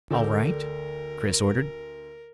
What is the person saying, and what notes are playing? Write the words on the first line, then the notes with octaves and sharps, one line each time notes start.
"All right," Chris ordered.
D2 A4 A#4 D5 G5